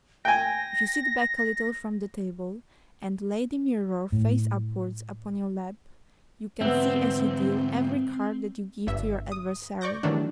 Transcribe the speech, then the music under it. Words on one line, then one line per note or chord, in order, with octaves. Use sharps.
If you sit back a little from the table, and lay the mirror, face upwards, upon your lap, you can see, as you deal, every card that you give to your adversary.
G5 G#5 A#6
A2
G#2 D3 B3 C4 E5
G1 G2 E5
D#6
D5 C#6 D6 G6 A#6
D#3 E3 F#3 G3 A3 D4